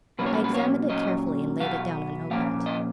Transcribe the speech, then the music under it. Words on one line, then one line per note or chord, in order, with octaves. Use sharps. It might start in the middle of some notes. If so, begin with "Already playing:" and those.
I examined it carefully, and laid it down unopened.
B2 F#3 A#3 C#4 B4
C#5
B4
B4
C#5
A#2 F#3 C#4 D#5
B2 F#3 B3 F5
A#2 F3 A#3 C#4 F5
D#5